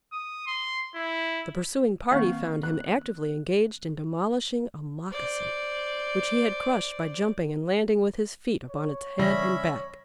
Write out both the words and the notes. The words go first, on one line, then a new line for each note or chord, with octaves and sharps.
The pursuing party found him actively engaged in demolishing a moccasin, which he had crushed by jumping and landing with his feet upon its head and back.
D#6
C6
E4
D#3 A#3 C4 F5 C#6
F#6
C5 D5
C#5
C#3 E3 G3 C#4 D5 E5 B5 A#6